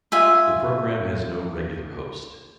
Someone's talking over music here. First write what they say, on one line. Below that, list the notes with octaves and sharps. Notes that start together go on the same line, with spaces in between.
The program has no regular host.
F4 E5 G#5